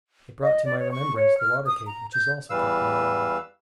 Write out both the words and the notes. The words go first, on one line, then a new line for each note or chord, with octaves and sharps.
It brought to my remembrance the water-keg which is also kept in a whale-boat.
D#5
D5
C#5
C#6
C#5
F6
D#6
A#5
G6
E2 E3 G3 B4 F5 E6